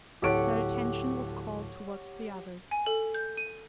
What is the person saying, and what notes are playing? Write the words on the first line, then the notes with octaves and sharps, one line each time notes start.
Their attention was called towards the others.
D1 G4 A4 C#5 F#5 D7
G#5
A4
G6
D#7